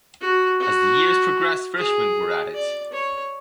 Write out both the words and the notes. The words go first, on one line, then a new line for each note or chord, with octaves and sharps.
As the years progressed, freshmen were added.
F#4
F#4
G#4
D5
C#5